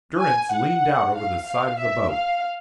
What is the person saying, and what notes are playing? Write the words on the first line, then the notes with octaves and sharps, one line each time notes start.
Durrance leaned out over the side of the boat.
G#5
F#5
F5
F5
E5
F5